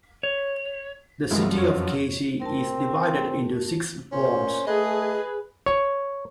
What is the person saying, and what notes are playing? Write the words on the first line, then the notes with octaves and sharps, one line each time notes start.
The City of Casey is divided into six wards.
C#5
F#2 D#3 F3 G#3 E4
C3 G3
F2 C#5
C4 A#4 A5
A#2 C#4 C5
A3 G#4 B4 D#5
C#5